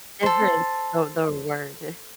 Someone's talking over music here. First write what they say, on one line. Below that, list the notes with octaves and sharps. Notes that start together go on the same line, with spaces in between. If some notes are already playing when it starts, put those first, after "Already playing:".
difference the their word.
A4 C5